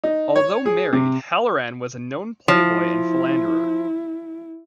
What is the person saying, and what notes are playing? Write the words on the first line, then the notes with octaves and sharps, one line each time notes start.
Although married, Halloran was a known playboy and philanderer.
D#4
C#5
G#4
C3
F3 E4